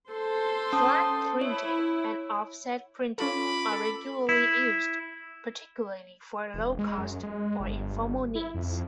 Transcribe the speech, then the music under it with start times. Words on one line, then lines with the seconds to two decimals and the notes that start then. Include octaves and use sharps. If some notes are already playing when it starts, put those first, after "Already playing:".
Flat printing and offset printing are regularly used, particularly for low-cost or informal needs.
0.10 A4 C5 C6
0.73 C#4 A5 D#6
1.41 E4 C#5
3.18 C#4 F4 A4 B5 D6
3.72 A4
4.29 E4
6.54 E1
6.79 G#3
6.98 F#2
7.23 G#3
7.60 G1
8.35 E4
8.55 F2